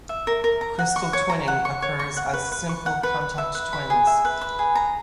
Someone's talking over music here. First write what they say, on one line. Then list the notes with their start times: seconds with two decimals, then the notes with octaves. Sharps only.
Crystal twinning occurs as simple contact twins.
0.09 E5
0.27 A#4
0.44 A#4
0.61 A#5
0.79 F#5
0.96 C#6
1.13 C#5
1.30 A#5
1.48 F#5
1.65 C#6
1.82 C#5
1.99 C#6
2.17 F#5
2.33 B4
2.52 B4
2.69 C#6
2.86 F#5
3.03 B4
3.21 B4
3.38 E5
3.55 B4
3.73 B5
3.90 G#4
4.07 E5
4.25 B4
4.41 B5
4.59 G#4
4.76 A#5